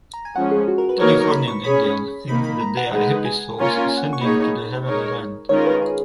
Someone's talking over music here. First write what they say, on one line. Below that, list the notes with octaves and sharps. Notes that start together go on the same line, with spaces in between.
Californian Indians think that they are happy souls ascending to the heavenly land.
A#5
G#5
F3 G#3 C#4 F#5
G#4
F#4
A#4
B4
F#3 A#3 D#4 A#4 B4 C#5
B4
A#5
B5
C#6
C#4 G#4 C#5 B5
D#3 A#3 D#4 B5
B5
A#5
F#5
G#3 D#4 G#4 B4 F#5
G#5
A#3 C#4 F4 A#4 C#5
G#5
F#5
C#6
A#3 D#4 G#4 C#5 B5
G#3 D#4 A#4 C#5
D#3 G#3 C#4 F4 A#4 C#5
B4
G#4